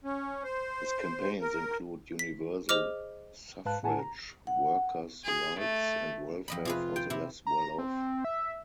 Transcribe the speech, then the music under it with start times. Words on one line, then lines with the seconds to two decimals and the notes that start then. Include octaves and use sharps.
His campaigns include universal suffrage, workers' rights and welfare for the less well off.
0.04 C#4
0.44 C5
1.41 A#4
2.19 B6
2.69 G#4 C5 D#5 D6 F6
3.65 G#2 B4 F5 A5 F#6
3.83 A2 E4 F#5 G#5 A5
3.99 A#5
4.47 F#5
5.24 G#4
5.59 A3
6.48 F2 D#5 B5
6.65 C3 F4 G#4 B4
6.96 G5
7.10 C3 E4
7.47 A#5
7.78 C4
8.25 E5